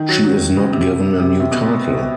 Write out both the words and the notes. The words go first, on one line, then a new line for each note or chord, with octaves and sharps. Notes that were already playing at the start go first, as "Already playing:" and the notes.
She is not given a new title.
Already playing: D#3
F#3
F#3
C#3
C3
C3
C3
B2